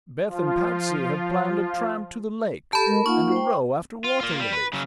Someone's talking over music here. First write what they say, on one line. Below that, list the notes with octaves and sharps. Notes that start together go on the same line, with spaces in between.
"Beth and Patsy have planned a tramp to the lake, and a row after water-lilies."
F3 F4
G4 A4 A5 B5
G#3 A#4
A#3 D#4 F4 F#5 C#6
C5 G5
F4
A#3 F4
G3
B4
C#3 F#3